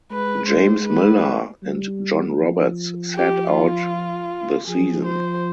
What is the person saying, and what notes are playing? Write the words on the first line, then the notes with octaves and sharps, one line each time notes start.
James Miller and John Roberts sat out the season.
G#3 B4
C5
B4
G3
F3
G4
F4
F3 G#4
C5